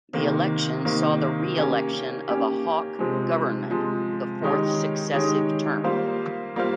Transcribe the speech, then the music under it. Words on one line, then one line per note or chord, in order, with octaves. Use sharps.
The election saw the reelection of a Hawke government, the fourth successive term.
C3 D#3 A#3
C3 D#3 A#3
A#3 C#4 G4
A#3 C#4 G4
C3 F3 G#3
C3 F3 G#3
D#3 G#3 D#4 G4 C#5
D#3 G#3 D#4 G4 C#5
G3 A#3 F4 C5 F5
G3 A#3 F4 C5 F5